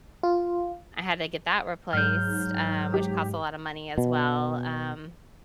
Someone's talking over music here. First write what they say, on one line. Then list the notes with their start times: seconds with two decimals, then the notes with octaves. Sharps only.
I had to get that replaced, um, which costs a lot of money as well. Um,
0.23 F4
1.93 G#2 F#3 F6 G6
2.94 G4
3.98 B2